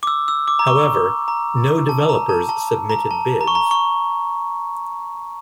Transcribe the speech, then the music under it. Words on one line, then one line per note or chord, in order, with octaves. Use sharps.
However, no developers submitted bids.
D6
E6
E6
D6
A#5
C#6
A#5
A5
A#5
A5
A5
A#5
A5
A#5
C#6
A#5
C#6